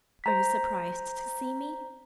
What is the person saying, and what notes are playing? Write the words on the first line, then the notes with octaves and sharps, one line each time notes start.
"Are you surprised to see me?"
C5 A#5 B6